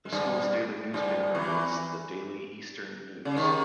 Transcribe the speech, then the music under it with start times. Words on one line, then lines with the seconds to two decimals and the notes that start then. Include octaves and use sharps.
The school's daily newspaper is The Daily Eastern News.
0.05 G#3
0.13 G2 G3
0.94 G2 G3
1.35 E2 E3
3.25 C#3
3.37 D#2 D#3